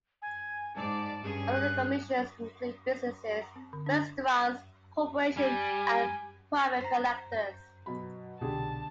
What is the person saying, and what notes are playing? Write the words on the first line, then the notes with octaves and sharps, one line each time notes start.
Other commissions include businesses, restaurants corporations and private collectors.
G#5
G#2 D5 A5
G2 C#4 G#4
F#6
A#5
C4
D3
D4
G3 G#5
C5 A#5 B6
G6
B2 F#3 B5
C2 B2 D3 G4 G#4 A5